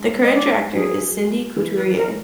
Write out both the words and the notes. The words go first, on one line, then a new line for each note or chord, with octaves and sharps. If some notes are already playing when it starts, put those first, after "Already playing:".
The current director is Cindy Couturier.
Already playing: G#3
D#5
D5
F#3 G#4
E3
B4
A#4